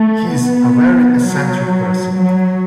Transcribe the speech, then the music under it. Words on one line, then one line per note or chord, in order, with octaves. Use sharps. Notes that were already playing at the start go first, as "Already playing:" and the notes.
He is a very eccentric person.
Already playing: A3
B3
F#3
F#3